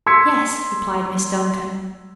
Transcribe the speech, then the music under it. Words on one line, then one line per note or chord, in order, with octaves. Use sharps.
"Yes," replied Miss Duncan.
C6 E6 G#6 B6 C#7